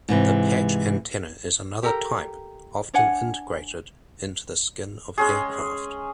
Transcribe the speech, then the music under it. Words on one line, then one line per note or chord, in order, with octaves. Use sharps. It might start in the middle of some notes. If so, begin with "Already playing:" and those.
The patch antenna is another type, often integrated into the skin of aircraft.
G#2 C3 E3 G#3
G4 A4 A#4 A#5
D4 C#5 F#5 G#5
G#3 C#4 G#4